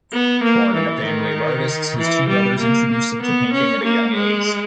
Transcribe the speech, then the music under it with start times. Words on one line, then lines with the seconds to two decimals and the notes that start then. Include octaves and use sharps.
Born in a family of artists, his two brothers introduce him to painting at a young age.
0.12 B3
0.43 A#3
0.74 E3
1.05 D#3
1.98 E3
2.29 G3
2.60 A#3
2.91 A#3
3.22 B3
3.53 C#4
3.84 A#3
4.14 G#3